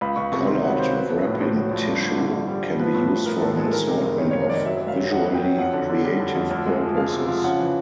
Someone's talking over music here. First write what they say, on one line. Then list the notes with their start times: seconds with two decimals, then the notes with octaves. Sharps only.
Colored wrapping tissue can be used for an assortment of visually creative purposes.
0.01 C#2 B5
0.16 C#2 C#6
0.32 C3 C#6
0.47 D#3 C6
0.63 F#3 F#5
0.79 C3 C5
0.94 F#3 B4
1.02 C5
1.10 A#1 B4
1.25 A2
1.40 A2 C5
1.56 F#3
1.71 A#1
1.86 G2
2.02 D3
2.17 D3
2.33 G2
2.48 G3
2.64 G2
2.79 F3 B4
2.95 A2
3.11 A2
3.26 F3 A#4
3.38 A2 A4
3.57 G#3 A4
3.72 D#3 A#4
3.87 C3
4.03 F#1
4.18 D#3 C#5
4.31 F#1 C#5
4.49 F#1 D5 D#5
4.65 F#3 E5
4.80 F#3
4.88 F5
4.96 F#3
5.11 E2 F#5
5.28 F#3
5.35 G5
5.43 F#3
5.58 F2 F#5
5.73 D3
5.89 D3
6.05 G3
6.20 D3
6.35 F2
6.51 D2
6.66 G#3
6.81 F3
6.97 G#3 F5
7.13 C3
7.28 F3
7.44 C#3 F#5
7.59 E3